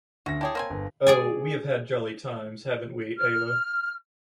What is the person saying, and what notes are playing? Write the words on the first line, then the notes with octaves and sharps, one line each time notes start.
Oh, we have had jolly times, haven’t we, Ayla?
D2 C#4 F#4 A#6
E4 G4 G#4 C#5 G5 A5
A#3 C4 G#5
G1
G#4 D5 G#5
F6